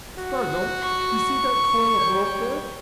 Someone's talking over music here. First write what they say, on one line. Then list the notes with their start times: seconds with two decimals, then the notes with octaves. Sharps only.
Spargo, you see that coil of rope there.
0.17 F#4
0.82 C#6
1.98 G3 C#5 G5